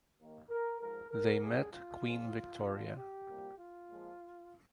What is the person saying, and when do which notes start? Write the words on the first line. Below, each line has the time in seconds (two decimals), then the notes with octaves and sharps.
They met Queen Victoria.
0.19 D#2 D#3 A#3
0.49 A#4
0.81 G#2 F3 G#3 A#4
1.11 A#4
1.43 D#2 D3 G3 A#3 G#4
1.73 F4
2.05 G#2 F3 A#3
2.66 G2 D3 F3 A#3 F4
2.97 G4
3.28 C2 A#2 G3 A#3
3.58 F4
3.89 A#2 F3 G#3